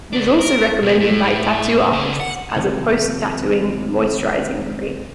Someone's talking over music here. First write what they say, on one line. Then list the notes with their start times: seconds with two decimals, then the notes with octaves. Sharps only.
It is also recommended by tattoo artists as a post-tattooing moisturising cream.
0.13 C#2 D4
0.39 A#4
0.82 B1 B3
1.00 A2
1.91 C#3 A5
2.20 F#5
2.56 C3 D#3 F3